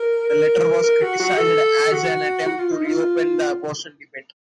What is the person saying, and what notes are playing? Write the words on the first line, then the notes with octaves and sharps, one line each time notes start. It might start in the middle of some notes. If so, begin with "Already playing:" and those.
The letter was criticized as an attempt to reopen the abortion debate.
Already playing: A#4
A#4
A#4
F#4
F#4
A4
F#4
F#4
F4
D#4
F4
F4